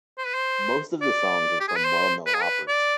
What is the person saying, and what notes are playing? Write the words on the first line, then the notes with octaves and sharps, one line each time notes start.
Most of the songs are from well-known operas.
C5
B4
C5
D5
G4
G#4
B4
C5
B4
G#4
B4
D5